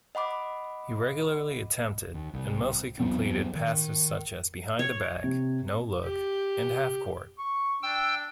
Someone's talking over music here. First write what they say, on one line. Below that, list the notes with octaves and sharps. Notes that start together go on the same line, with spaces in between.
He regularly attempted, and mostly completed passes such as behind-the back, no-look and half-court.
D#5 F#5 B5 D6
D#2
C2
E2 F#3 B3 C4
D#3
C#5
C3
G4
C#6
D4 G5 E6